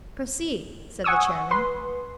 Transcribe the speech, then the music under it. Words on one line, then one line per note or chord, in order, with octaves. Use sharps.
"Proceed," said the chairman.
F#5 G#5 C#6 D#6 E6
B4 C6